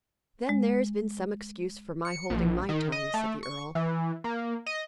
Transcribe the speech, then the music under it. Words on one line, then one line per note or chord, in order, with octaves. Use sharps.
"Then there's been some excuse for my holding my tongue," said the earl.
G#3
C#7
A#1
D#3
D#5
A3
C#6
E3
A#3
D#5